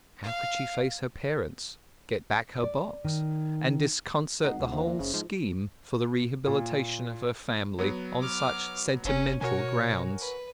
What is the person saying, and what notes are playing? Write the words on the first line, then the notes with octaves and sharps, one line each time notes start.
How could she face her parents, get back her box, and disconcert the whole scheme for the rehabilitation of her family on such sentimental grounds?
F5
D5
D#3
G#1 D#4 F#5
C#2
A#1 D#2 C5 E5 F5
A#2
F#1 C#3
G#2 F3
A#2
F#3 B3
D6 F6
F1 C#4
B2 F#4 A#4 C#5 G#5
B4